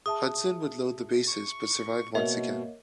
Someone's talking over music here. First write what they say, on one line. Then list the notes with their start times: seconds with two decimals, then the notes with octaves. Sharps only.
Hudson would load the bases but survive once again.
0.06 G#4 E5 A5 D#6
1.27 C#6
2.15 B2 A#3 C#5 D#5 E5